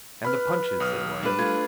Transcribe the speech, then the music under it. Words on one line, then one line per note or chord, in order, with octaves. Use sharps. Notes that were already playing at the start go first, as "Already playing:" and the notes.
'And the Punches,' said William.
B4 B5 F6
B1 D#6 F6
G3 D4 B4
A3 F4 G#6